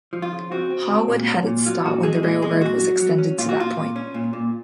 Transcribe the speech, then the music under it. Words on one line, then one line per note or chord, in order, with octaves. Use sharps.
Harwood had its start when the railroad was extended to that point.
F3
F4
C#3
C4 F#4
C4
C#2
A#2
C#4
A#2
F#3 F4
A#2 F#4
F#3 G#3 G#4
A#2 G#3 G#4
A#2 G#3 G#4
A#2 F#4
F#3
F#3
C#4
A#2 F4
F#4
A#2 F4
A#2
C#4
A#2
A#2